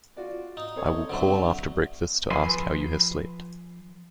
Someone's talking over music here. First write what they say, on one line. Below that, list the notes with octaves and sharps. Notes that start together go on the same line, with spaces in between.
I will call after breakfast to ask how you have slept.
F4 F#4 D5
D#4
C4 A4 C#5
D3 F#3 C4 D5 E5
F3 B4 G#5 B5 C6